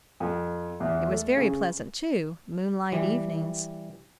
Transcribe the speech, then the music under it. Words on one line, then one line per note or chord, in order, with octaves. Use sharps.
It was very pleasant, too, moonlight evenings.
F2
E2
A3
C#3
E3 G3